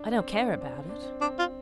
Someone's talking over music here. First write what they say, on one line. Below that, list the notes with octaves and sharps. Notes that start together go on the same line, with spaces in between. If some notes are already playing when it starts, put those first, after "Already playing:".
I don't care about it.
Already playing: D4
C4
D4
C4
D4
C4
D4
C4
C4 D4
F4